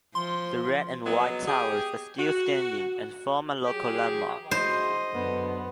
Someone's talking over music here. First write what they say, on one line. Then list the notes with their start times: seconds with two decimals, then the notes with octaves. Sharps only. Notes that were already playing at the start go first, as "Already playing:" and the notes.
The red-and-white towers are still standing and form a local landmark.
0.15 F3 C6
1.06 F#3 G#3 B3
1.48 G4 G#4
2.19 F#4
3.66 F#3 G4 G#4
4.51 E4 F#4 G#4 C5 D#5
5.12 F#2 D3 B3